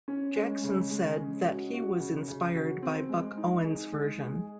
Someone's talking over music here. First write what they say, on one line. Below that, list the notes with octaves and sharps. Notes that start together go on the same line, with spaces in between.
Jackson said that he was inspired by Buck Owens' version.
C#4
G#3
C#3
G#3
C#4
F#4
F#4
C#3
C#3
F#4
C4
G#3
D#4
G#4
G#3
G#4